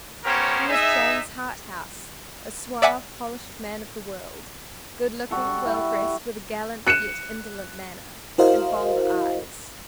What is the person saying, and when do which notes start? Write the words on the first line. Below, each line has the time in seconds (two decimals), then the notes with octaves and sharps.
He was James Harthouse, a suave, polished man of the world, good-looking, well-dressed, with a gallant yet indolent manner and bold eyes.
0.25 B3 C#4 G4 A#4 C5 C#5
0.69 D#4 G#4 E5
2.82 D5 E5 F#5 G#5 D6 B6
5.31 G3 F#4 A4
5.66 E4
6.87 F#6 C#7 D#7 E7
8.38 E4 F#4 A#4 C5 D#5 F5